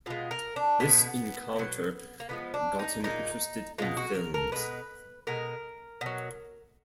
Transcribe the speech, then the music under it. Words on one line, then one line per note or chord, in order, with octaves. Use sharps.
This encounter got him interested in films.
B2 G#3 F4
A#4
D4
B2 G#3 B3
B2 F#3
A#3
D3 F3 G#3 B3
D4
D#4
A#2 G#3 D#4
B2 G#3 F4
F#4
A#4
A#4
B2 G#3 B4
B2 G#3 A#4
B2 F#3